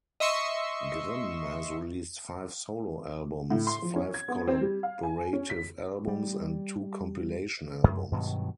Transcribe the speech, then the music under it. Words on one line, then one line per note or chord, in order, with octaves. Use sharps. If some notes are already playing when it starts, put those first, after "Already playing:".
Grimm has released five solo albums, five collaborative albums and two compilation albums.
D#5 E5 C6 C#6 E6
A2
C6
F3
C#4
G#6
B3
C4
G3
F5
G#5
C#4
B6
G3
F#2
G2 B2 D#3 F#3